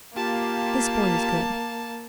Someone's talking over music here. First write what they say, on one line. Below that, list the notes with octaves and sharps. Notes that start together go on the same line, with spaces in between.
"This boy is good."
A#3 F4 G4 A5